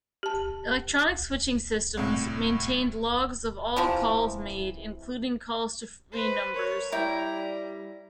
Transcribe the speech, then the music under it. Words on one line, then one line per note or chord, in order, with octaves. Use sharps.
Electronic switching systems maintained logs of all calls made, including calls to free numbers.
G4 A5
C2 A2
C3 E3 F3
B4 C5
A#4 C#5
G3 E4 D5 G5 A#5